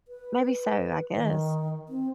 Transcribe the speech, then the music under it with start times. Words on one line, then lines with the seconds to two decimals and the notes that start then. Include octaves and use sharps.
Maybe so, I guess.
0.08 B4
1.15 D#3
1.89 C4